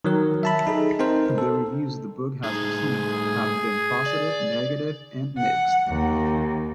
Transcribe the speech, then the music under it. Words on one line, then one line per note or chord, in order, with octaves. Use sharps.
The reviews the book has received have been positive, negative, and mixed.
D#3 F#3 A#4
E5 A5 B5
D#4 G#4 A4
C4 D#4 A#4 C5
A4
A2 D#4 G#4
D5
F#5
D#2